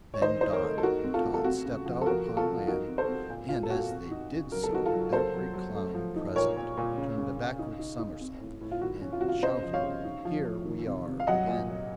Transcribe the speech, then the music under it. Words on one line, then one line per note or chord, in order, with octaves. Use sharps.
Then Dot and Tot stepped out upon land, and as they did so every Clown present turned a backward somersault and shouted, "Here we are again!"
C#5
D#3 C5 D#5
D#4 C5
A#4 C#5
A3
A4
D#4 F#4 A#4
C4
F4 A4
A3
A4
C4 F#4
C#3
F3
A4
F3 F#4 A#4
A3
F4 A4
F3
D#4 F#4 A#4
C4
A4 C5
C4
A#2
A#2 F4
A4
A#2 F#4
C4
D#4
C#3
F#3 A#4
A4
D#4 F#4
F4 A4
F#3
A#3 A4 C5
F#3
F#3
A3
F3
D#4
A#2 A#4 C#5
A#2
A#2
C#3
C#3
C#3
D#4
D#4
D#4
C4
A2
A2
F4
D#3 F#4
C#4
F4
C3 F#4
F4
C#3 C5 D#5
F3
C#5 F5
C#3
D#4
F3
F3
D#3
C3
C3
F5
F#3 D#5 F#5
A#2
F#3